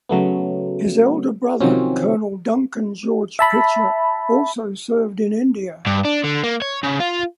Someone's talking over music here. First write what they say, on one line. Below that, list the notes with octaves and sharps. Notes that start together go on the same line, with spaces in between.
His elder brother Colonel Duncan George Pitcher also served in India.
C#3 F#3 A3 B3
C3 D#3 F3 F#3 C4 C#4
E5 A5 B5
G2
D4
D3
A#3
C#5
C#3
F4